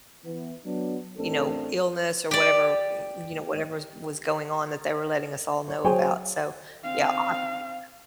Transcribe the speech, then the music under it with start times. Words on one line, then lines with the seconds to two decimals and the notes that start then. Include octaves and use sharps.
you know, illness or whatever, m you know, whatever's was going on that they were letting us all know about. So, yeah, I'll have to do that.
0.25 E3 B3
0.65 F#3 B3 D4
1.17 A1 A3 C4 D4 A4 A#4
2.31 G4 D5
5.68 C#5
5.85 F#3 G#4 C5 C#5 G5 G#5
6.84 C4 F5